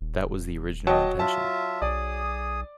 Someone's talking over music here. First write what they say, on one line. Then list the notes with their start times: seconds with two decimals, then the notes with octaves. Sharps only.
That was the original intention.
0.01 D#1
0.87 F#3 D#5 G5 A5
1.19 F4 E5 A5
1.82 B1 G#4 D5 D#6